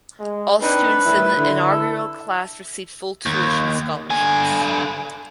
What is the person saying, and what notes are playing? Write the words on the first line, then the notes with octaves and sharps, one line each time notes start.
All students in the inaugural class received full tuition scholarships.
G#3
C4 D4 D#4 B4
A2 D#3 G3 E4
D3 E4
A4
D#2
D3 G#5